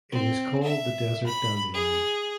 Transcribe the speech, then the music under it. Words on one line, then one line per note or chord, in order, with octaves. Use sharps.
It is called the desert dandelion.
C4
E5
B5
G#4